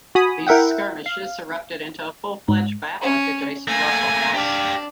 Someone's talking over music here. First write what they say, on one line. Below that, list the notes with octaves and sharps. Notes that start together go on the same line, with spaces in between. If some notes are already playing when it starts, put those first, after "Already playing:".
These skirmishes erupted into a full-fledged battle at the Jason Russell House.
F#4 G#5 B5 D#6
E4 A#4 E5 F#5 G5
F5
G#2
C#4
A3 A#3 G#5
D4 G4 F5